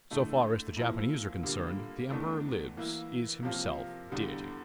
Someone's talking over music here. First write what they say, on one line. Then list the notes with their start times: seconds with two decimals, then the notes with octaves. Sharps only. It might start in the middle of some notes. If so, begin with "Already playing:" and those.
So far as the Japanese are concerned, the Emperor lives, is himself deity.
0.11 D3 A3 E4
0.77 A#2 F3 A#3 E4
1.43 D3 G3 A#3 F4
2.10 E2 E3 A3 D4
2.77 E3 A#3 E4
3.43 C3 F3 A#3 F4
4.10 E2 D3 G3